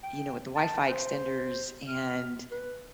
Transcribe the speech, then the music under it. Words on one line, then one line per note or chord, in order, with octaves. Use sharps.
you know, with the Wi-Fi extenders, and,
G5
A5
C5
F6
B4